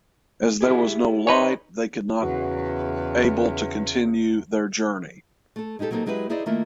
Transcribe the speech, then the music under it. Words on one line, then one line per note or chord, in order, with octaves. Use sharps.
As there was no light they could not able to continue their journey.
E4 G4 G#4
D#4 B4 C#5
E2 C#3 F#4 B4
A3 A4
G#3 D#4 E4 G4 A4
F#3 A#3 C4 D#4 G4 A4
F#3 G#3 E4 G4 B4
D#4 E4 G#4 C5 D5 D#5
D#3 A3 A#3 E4 F4